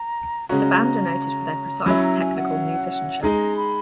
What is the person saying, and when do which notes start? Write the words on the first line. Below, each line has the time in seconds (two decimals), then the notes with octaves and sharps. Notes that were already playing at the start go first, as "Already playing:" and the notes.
The band are noted for their precise, technical musicianship.
Already playing: A#5
0.49 C#3 G#3 C#4 F#4 A#5
1.86 F#3 C#4 E4 B5
2.03 A#5
2.20 G#5
2.37 F#5
3.23 G#3 D#4 G#4 A#5
3.56 B5